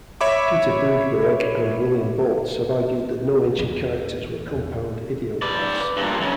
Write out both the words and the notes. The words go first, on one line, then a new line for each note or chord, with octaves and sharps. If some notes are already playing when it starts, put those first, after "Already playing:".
Peter Boodberg and William Boltz have argued that no ancient characters were compound ideographs.
C#5 E5 B5 D6
E2
B4 D5
G2 A#2
F#2 C#3